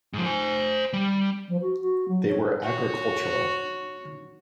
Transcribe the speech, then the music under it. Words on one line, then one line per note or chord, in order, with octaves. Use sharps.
They were agricultural.
G#2 F3
C5 G#5
G3
F3
F#4
F#4
F#3
C#5
F#4 C#5